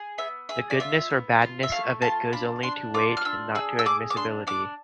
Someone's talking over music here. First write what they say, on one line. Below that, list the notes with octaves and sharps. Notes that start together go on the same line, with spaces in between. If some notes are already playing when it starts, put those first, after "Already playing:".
The goodness or badness of it goes only to weight and not to admissibility.
Already playing: G#4
B3 E5
G#4 E5
D5
F4 E5
B3
F4
E5
A3 F5
F4 A5
D4 B5
D4 C6
F4 D6
F6
D4 E6
G#4 E6
E6
G#4 D6
D6
D4 C6
D4 D6